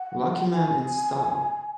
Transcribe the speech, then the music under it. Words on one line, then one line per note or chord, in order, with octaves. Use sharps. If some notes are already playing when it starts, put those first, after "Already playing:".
Luckyman in style.
Already playing: F#5
G#5